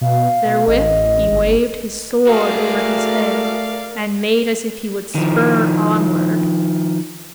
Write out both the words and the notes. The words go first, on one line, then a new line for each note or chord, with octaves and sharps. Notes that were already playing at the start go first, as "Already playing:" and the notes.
Therewith he waved his sword over his head, and made as if he would spur onward.
B2 F5
B2
A1 D#5
G1
A3 F#4 G#4 A#4 D5 F5
D#3 F3